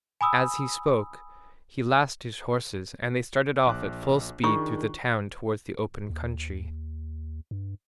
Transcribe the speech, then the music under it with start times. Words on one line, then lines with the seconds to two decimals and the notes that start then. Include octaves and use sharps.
As he spoke he lashed his horses and they started off at full speed through the town towards the open country.
0.21 G#5 B5 D#6 E6
3.67 A#1 D6 F#6
4.44 D#3 D4 F4 G#4 C#6
6.10 D#2
7.51 G2